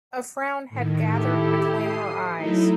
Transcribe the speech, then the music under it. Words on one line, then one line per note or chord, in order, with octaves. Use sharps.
A frown had gathered between her eyes.
A2 D#3
E4 G4 A4
D#6 C7
F#3 A3 D#4 E4 A4